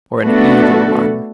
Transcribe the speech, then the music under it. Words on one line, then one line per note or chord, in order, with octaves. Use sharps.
Or an evil one?
A3 B3 D4 F#4 A4